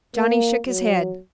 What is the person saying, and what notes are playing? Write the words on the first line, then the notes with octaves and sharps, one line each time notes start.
Johnny shook his head.
A#3
F#3